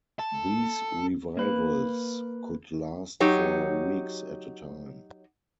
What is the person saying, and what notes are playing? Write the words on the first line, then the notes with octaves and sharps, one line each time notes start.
These revivals could last for weeks at a time.
A4
A#3 B4
F#3 D#4 G4 C#5